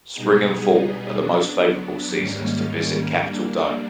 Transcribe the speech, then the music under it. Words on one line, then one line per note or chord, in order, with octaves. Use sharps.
Spring and fall are the most favorable seasons to visit Capitol Dome.
B2 G3 B3 D#4 G#4
F#3 B3 D4
G#2 D#3 G3 A#3 C#4
G3 A#3 D4